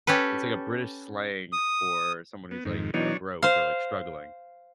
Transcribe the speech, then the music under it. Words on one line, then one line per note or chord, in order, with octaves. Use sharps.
it's like a British slang for someone who's, like, uh, broke or, like, struggling.
C#4 G4 A4 B4
D#6
B3
F2 G#2 D#3
B2 E3 F#3 D4 D#4 C#5
C5 F5